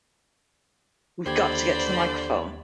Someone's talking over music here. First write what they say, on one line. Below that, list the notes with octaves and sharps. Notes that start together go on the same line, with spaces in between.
'We've got to get to the microphone!
D#2 D3 G4 C5 D5 B5 G#6